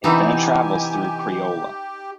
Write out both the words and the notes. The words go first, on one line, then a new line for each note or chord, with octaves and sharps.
It then travels through Creola.
C3 E3 B3 D#4 G4 G#5